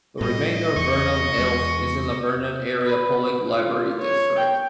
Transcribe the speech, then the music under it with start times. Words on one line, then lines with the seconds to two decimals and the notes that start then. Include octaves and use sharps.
The remainder of Vernon Hills is in the Vernon Area Public Library District.
0.21 A2 G3 D#5
0.76 E2 C#6
1.38 E2 G#3
2.87 B4
3.49 F4
4.00 C#5
4.38 G5